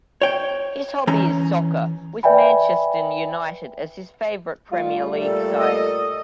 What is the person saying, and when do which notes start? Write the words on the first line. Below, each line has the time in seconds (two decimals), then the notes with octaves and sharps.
His hobby is soccer, with Manchester United as his favourite Premier league side.
0.22 C#5 G5
1.07 E3 C#4 A#5
2.23 B4 D5 E5 G5 G#5 B5
4.72 G3 A3 F4
5.22 A#2 A4
5.60 D#5